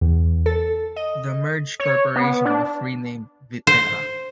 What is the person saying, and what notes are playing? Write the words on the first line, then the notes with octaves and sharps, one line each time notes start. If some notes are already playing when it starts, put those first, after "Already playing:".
The merged corporation was renamed Viterra.
E2
A4
D#5
C#5
B3
D4
C5